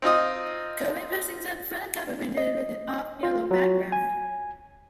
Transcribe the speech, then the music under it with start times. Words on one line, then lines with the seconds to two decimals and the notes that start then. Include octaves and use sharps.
Current pressings have the front cover printed with an off-yellow background.
0.02 C4 D#4 F4 D#5
2.37 D#5
3.23 F4
3.51 F#3
3.92 G#5